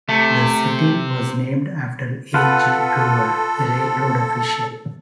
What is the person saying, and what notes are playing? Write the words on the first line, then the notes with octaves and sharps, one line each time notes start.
The city was named after A. G. Gower, a railroad official.
C3 A3
F4 A4 B4 F#5